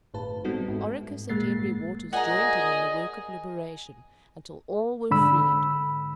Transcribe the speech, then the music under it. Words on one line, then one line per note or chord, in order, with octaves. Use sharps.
Oracus and Henry Waters joined him in the work of liberation, until all were freed.
G1 A2 B4 A5
G3 B3 C4 D#4 F#4 A4
G#2
G1 A#2 G#3 A#3 A6 C7
A#2 G#4 D#5 F#5 A#5
G#2 D3 B5 E6